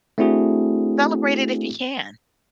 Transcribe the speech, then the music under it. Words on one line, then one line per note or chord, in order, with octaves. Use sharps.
celebrate it if you can.
A3 C4 D4 E4 F#4 G#4